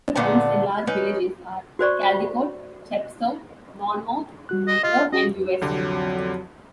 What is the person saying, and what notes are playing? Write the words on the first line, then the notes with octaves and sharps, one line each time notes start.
Other towns and large villages are Caldicot, Chepstow, Monmouth, Magor and Usk.
A#2 D3 A3 B3
C#4 D#4 B4
F#4 C5 D5 C#6
G3 F#4 F#6
D#5
F4 D#5
C#4 F#4 G#4 D#5
C2 F2 D3 F#3 G4